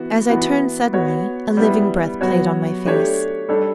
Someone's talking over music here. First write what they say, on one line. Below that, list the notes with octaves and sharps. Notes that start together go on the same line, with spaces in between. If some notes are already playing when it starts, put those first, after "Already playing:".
As I turned suddenly, a living breath played on my face.
Already playing: E3 B3 F#4
E3 B3 F#4
B3 F#4 C#5
G3 B3 E4
F#3 B3 F#4 C#5
A3 D4 G4 C#5
G3 D4 A4 C#5